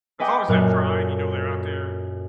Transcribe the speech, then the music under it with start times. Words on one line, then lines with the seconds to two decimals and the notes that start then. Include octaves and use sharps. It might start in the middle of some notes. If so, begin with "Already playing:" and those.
As long as they're trying, you know, they're out there
0.20 G#4 B4 D#5 F#5 G5 D6
0.48 F#2 A#2 A4 F6 F#6